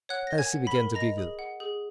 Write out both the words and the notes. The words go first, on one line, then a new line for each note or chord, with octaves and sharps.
Elsie began to giggle.
C#5 F#5 F#6
A#4 A#6
G#5 G#6
F#5
B5 B6
A#4
D#5 A#5 A#6
G#4
F#5
G#4